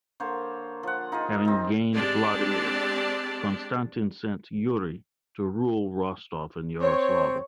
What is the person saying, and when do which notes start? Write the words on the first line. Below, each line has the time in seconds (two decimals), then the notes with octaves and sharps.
Having gained Vladimir, Konstantin sent Yuri to rule Rostov and Yaroslavl.
0.20 D3 A#3 C5 C#5
0.83 F3 F#5
1.12 D#4 F4 G#4 D#5
1.45 C4 D#4
1.93 G#3 C4 D4 G4 D5 A5
6.81 C4 C#5